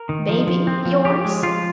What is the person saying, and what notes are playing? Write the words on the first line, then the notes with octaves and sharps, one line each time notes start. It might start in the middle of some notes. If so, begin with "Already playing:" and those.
"Baby yours?"
Already playing: A#4
D#3
F3
F3
C4
F3
F3 G4
G#3
F3 F4